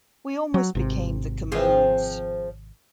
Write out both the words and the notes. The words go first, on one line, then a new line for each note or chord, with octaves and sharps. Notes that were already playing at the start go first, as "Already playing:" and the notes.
We almost became 'The Commodes!
F#3
G#1 C3
F3 C4 G#4